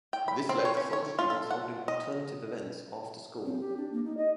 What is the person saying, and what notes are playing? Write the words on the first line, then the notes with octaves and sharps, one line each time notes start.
This led to some students holding alternative events after school.
G5
B5
C4
C#5
C#4
C#5
F4
A4
F#5
D#5
C4
G4
D4
A#3
D#4
D#5